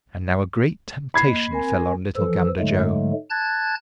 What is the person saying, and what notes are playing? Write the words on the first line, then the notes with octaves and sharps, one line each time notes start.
And now a great temptation fell on little Gander Joe.
B5 G#6 C7
A#3 D#5
C4 A#4 G#5
E3 F3 A4
G#2 D3 F#3 G#3 A3
A5 F#6 G#6 A6